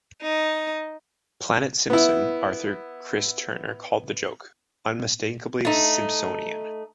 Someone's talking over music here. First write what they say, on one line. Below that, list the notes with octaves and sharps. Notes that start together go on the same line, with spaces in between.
"Planet Simpson" author Chris Turner called the joke "unmistakably Simpsonian".
D#4
B3 E4
A3 D#4